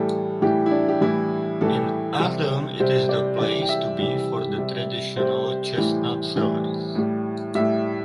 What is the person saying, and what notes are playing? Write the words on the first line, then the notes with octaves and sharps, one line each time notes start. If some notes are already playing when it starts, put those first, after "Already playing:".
In autumn it is the place to be for the traditional chestnut sellers.
Already playing: A2 E3 G3 A4
A2 E3 G3 G4
E4
D4
G4
A2 E3 G3 E4
A2 E3 G3 A4
G4
A4
C3 G3
C3 G3 C5
D5
C3 E3 G3 D5
G5
E5
C3 E3 G3
C3 G3
C3 G3 C5
A2 E3 G3
A2 E3 G3
A2 G3
A2 G3 E5